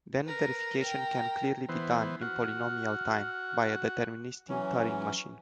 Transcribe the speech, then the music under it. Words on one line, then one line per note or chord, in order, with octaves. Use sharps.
Then verification can clearly be done in polynomial time by a deterministic Turing machine.
A#4 B4
A#4 G5
E3 B3 C5
F#4 F6
E3 F#3 C#4